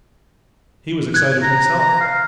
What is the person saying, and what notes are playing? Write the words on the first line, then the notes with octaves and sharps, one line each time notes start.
He was excited himself.
F#6 G#6
A#5
A#5
F5